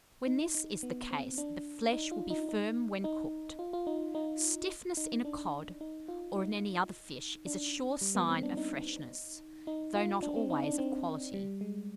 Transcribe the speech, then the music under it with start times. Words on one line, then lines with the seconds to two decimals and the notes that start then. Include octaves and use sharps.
When this is the case, the flesh will be firm when cooked. Stiffness in a cod, or in any other fish, is a sure sign of freshness, though not always of quality.
0.27 D#4
0.55 D#4
0.83 B3
1.11 C4
1.38 D4
1.93 D#4
2.12 F4
2.30 D#4
2.49 D#4
3.04 D#4
3.59 F4
3.73 F4
3.87 D#4
4.15 D#4
4.97 D#4
5.25 D4
5.81 D#4
6.08 F4
6.35 D#4
7.46 D4
8.01 G3
8.15 B3
8.29 C4
8.43 D4
8.57 D#4
9.67 D#4
9.95 F4
10.23 D4
10.36 C4
10.50 D#4
10.64 D4
10.78 C4
11.34 G3
11.61 G#3